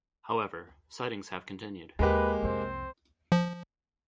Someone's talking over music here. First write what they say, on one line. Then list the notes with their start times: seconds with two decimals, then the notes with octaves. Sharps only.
However, sightings have continued.
1.99 D#2 G#3 A#3 G4 B4
2.42 C2 F2 C4 C5
3.32 F3